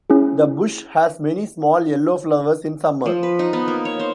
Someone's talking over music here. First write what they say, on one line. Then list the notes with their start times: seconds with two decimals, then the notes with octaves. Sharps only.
The bush has many small yellow flowers in summer.
0.10 C#4 E4 G#4
3.06 F3
3.23 B4
3.39 D#4
3.53 B3
3.68 A#3
3.85 C#5
4.00 C5